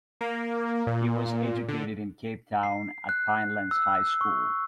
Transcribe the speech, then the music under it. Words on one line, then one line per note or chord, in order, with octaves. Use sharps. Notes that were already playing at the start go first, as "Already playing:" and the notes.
He was educated in Cape Town at Pinelands High School.
A#3
A#2
D3
C7
F#6
E6
C#6